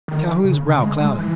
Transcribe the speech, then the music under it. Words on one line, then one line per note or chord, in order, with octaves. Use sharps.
Calhoun's brow clouded.
D#3
C#3
C#3
G#3
G#3
E3